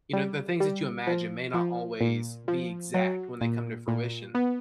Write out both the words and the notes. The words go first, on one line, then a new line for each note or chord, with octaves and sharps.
you know, the things that you imagine may not always be exact when they come to fruition.
G3
G3
F3
F3
A#2
F3
F#3
A#2
A#2
B3